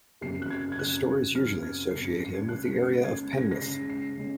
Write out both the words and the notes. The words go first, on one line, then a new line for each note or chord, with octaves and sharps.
The stories usually associate him with the area of Penwith.
F#2 C#3 F#3 C4 C7
F#6
G#6
G#6
F#2 C#3 F#3 C4 F#6
F#2 C#3 F#3 C4 F6
G#6
F#2 C#3 F#3 C4 C7
C#7
C7
G#6
C#3 G#3 C#4 F#6
C#7
C7
C#3 G#3 C#4 G#6
A#6
A#6
C#3 G#3 C#4 C7
C7
C#3 G#3 C#4